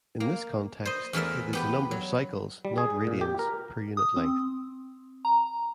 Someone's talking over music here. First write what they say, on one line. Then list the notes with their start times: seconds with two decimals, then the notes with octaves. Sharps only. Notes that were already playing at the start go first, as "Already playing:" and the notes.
In this context, it is the number of "cycles"-not radians-per unit length.
0.20 A#3
0.85 C5 D#5
1.13 E2 E3 A3 A#4 E5
1.53 B3 G4 B4
1.91 F#3
2.65 G3
2.78 G#4
3.07 A#2
3.21 G4
3.39 A#4
3.97 D#6
4.16 C4
5.25 A#5